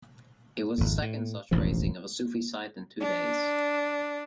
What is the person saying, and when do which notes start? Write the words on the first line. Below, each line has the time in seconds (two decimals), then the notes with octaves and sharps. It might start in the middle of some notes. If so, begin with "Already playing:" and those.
It was the second such razing of a Sufi site in two days.
0.78 G#1 F2
1.02 A2
1.51 E1 A1 D#2 F3
3.00 D4